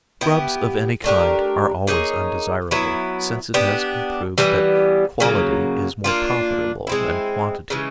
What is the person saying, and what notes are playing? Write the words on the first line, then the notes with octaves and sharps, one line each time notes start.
Scrubs of any kind are always undesirable, since it has been proved that quality is more profitable than quantity.
B3 E4 G4
A3 D4 G4 A#4
A#3 D#4 G#4 C#5
F#3 B3 E4
B3 D4 G4
E3 G3 B3
C#3 F#3 A#3
A#3 D4 F4
G#3 C4 E4
C#3 E3 G#3